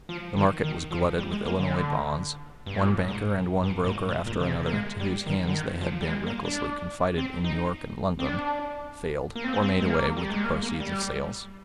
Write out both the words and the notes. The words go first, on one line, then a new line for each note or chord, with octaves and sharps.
The market was glutted with Illinois bonds; one banker and one broker after another, to whose hands they had been recklessly confided in New York and London, failed, or made away with the proceeds of sales.
F3
D#3
D#3
F3
G3
G#3
A#3
D3
G2
G#2
A#2
G#2
G2
A#2
G#2
G#2
A#2
D3
C3
A#3
G#3
G3
D#3
D3
D#3
F3
G3
G#3
A#3
D4
C4
D#4
C4
D4
A#3
C4
A#3
C4
G#3
A#3
G3
G#3
A#3
A#3
G3